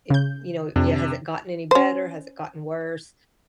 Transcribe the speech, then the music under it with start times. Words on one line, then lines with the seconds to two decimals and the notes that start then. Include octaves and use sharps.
if, you know, it has it gotten any better? Has it gotten worse?"
0.10 C#3 G6
0.76 F2 C3 D4
1.71 C#4 C5